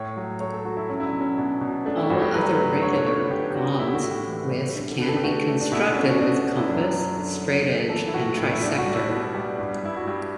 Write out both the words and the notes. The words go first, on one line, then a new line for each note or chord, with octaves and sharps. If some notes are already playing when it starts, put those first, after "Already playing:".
All other regular -gons with can be constructed with compass, straightedge and trisector.
Already playing: A2 C#5
F#3
A3 C#5
A4
F#3 F#4
E4
F#3 C#4
E4
D4
B2
C#4
B2 D4
B2
A3 D4
E4
G2 F#4
G4
F#3 B4
A3
D3 C#5
C#5
D3 C#5
B4
D3 G4
G4
D3 F#4
G3 E4
G4
F#4
A2
G4
E3
G3
D3
D3 B4
A4
G4
A3 F#4
A3
D4
B2 E4
D4
B2 C#4
F#4
B2 D4
B2
E4
F#2 D4
F#3
D3
F#3
A3
E3 A4
E4
A2 F#4
A2 E4
E4
G3 D4
F#4
G3
E4
B2
G3
G2
G2 E4
F#4
G2 G4